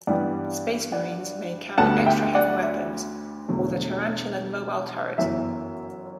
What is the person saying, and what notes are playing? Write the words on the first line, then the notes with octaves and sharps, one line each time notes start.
Space marines may carry extra heavy weapons or the tarantula mobile turret.
G2 E3 G3 B3 D5 F#5
D5 F#5
D2 D3 G3 B3 F#5 A5
E5 G5
D5 F#5
E5
E1 E2 D3 F#3 A3
G1 F#2 E3 E5